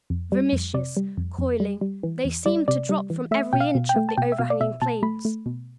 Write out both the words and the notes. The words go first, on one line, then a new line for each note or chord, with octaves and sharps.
Vermiceous, coiling, they seemed to drop from every inch of the overhanging planes.
F2
G3
F2
C3 D5
G3
F2
F2
G3
G3
E3
E2
G3 D5
C3 D5
G3
E3
A3 E5
B2 G5
F5
B2
G5
A3
A5
B2 G5
E5
B2 F5
D5
B2 E5
B2 A5
A3 B5
A3
B2